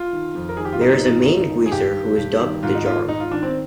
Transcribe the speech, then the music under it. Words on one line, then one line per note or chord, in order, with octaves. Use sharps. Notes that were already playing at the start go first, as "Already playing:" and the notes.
There is a main guizer who is dubbed the "Jarl".
Already playing: F4
D#3
F2
A#4
D#3 G#4
G4
F4
G2 D#4
D#3
G2
D#3
G#4
G2 G4
D#3
G2
D#3
G#2 F4
D#4
D#3 F4
G#2 D#4
F4
D#3 D4
C4